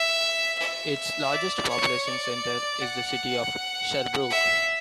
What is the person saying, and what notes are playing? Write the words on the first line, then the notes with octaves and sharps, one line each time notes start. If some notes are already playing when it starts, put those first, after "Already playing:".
Its largest population centre is the city of Sherbrooke.
Already playing: E5
E5
D5
C#5
D5
F#5
E5